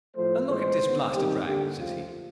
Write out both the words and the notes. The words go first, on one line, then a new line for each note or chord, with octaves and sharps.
And look at this blasted rag, says he.
A2 F3 A3 C5
A2 E3 G#3 C5
D#3 G#3 B3
D#3 G3 C4 G4
D3 G3 A#3 G4
C#3 F3 A3 F4